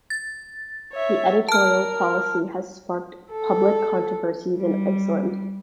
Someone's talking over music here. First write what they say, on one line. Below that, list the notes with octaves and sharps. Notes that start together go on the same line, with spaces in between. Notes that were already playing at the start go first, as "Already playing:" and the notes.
Its editorial policy has sparked public controversies in Iceland.
A6
C#5 E5
A#4 A5 F6
A4
G3